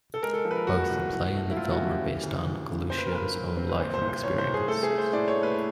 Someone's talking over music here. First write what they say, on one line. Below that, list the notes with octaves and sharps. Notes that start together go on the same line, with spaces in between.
Both the play and the film are based on Galluccio's own life and experiences.
A4
G#3 A#4
A4
F3
B4
A#4
F3 F#4
C2
A2
A3
E4
F#3 F4
F#4
C#4
G4
E3
D2
D2
C#3
A#2 C5
B4
A#4
A#2 B4
F#3
C4
B4
A#2 C5
C5
C2
C5
C2 C#5
C5
C2
G#4
A3 A4
G#4
A3
C5
A2 D5
C#5
A3
B4